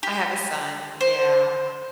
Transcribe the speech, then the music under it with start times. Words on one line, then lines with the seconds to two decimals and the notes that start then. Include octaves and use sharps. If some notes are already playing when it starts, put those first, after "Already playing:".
I have a son. Yeah.
0.03 G4
1.01 C5